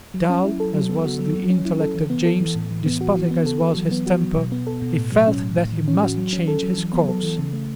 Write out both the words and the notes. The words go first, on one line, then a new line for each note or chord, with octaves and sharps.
Dull as was the intellect of James, despotic as was his temper, he felt that he must change his course.
F#3
C#4
E4
A4
F#3
B3
F#4
F#3
F#3
C#4
E4
A4
E3
B3
A4
E3
A2
E3
B3
F#4
E3
B3
A4
E3
F#3
B3
F#4
F#3
B2
B3
A4
B2
A2
F#3
C#4
A2
A2
E3
C#4
F#4
F#3
C#4
A4
F#3
E3
B3
A4
E3
C#3
A3